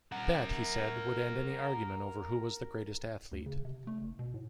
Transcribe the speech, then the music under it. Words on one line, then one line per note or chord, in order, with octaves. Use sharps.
That, he said, would end any argument over who was the greater athlete.
A#4 F#5
D2
C#3
C3
A3
F#1
B2
A2